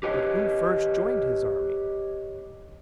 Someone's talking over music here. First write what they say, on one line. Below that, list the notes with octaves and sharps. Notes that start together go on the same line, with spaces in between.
But who first joined his army?
G4 B4 C#5 D#5